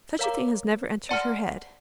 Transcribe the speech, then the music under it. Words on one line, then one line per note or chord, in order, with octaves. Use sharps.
Such a thing has never entered her head.'
A#4 C#5 F5 A#5 D6
D5 F#5 A5 C6 F6